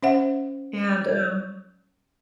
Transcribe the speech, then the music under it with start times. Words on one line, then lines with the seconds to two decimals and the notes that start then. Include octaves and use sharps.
and, um,
0.03 C#4 C5 E5 F#5